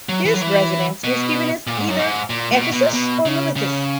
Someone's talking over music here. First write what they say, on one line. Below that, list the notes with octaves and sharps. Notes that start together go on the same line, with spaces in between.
His residence was given as either Ephesus or Miletus.
F#3
E3
F#3
E3
B2
A#2
G#2
F#2
G#2
A#2
A#2
B2
B2
A#2
B2
C#3
C#3